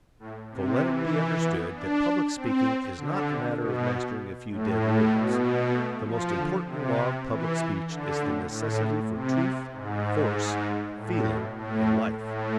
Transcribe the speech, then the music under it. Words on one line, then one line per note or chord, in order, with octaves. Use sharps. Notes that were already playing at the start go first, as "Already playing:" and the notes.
So let it be understood that public speaking is not a matter of mastering a few dead rules; the most important law of public speech is the necessity for truth, force, feeling, and life.
A2
C3
E3
B3
D4
C4
D3
C3
B2
A2
B2
A3
F3
D3
C3
C3
E3
D3
A2
A2
C3
G#2
G#2
A2
B2
A2
A2